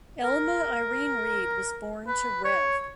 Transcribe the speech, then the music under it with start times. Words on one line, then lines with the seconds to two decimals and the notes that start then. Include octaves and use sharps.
Elma Irene Reed was born to Rev.
0.24 A#4
2.08 B4
2.45 C#5